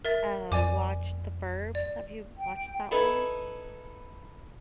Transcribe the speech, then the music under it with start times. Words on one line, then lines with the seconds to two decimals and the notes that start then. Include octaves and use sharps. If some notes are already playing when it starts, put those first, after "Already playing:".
uh, watched The Burbs. Have you watched that one?
0.05 A#4 E5 A6
0.52 F2 D5 G#5 D6
1.75 D5
2.37 G5
2.91 D#4 E4 A4 B4 G#5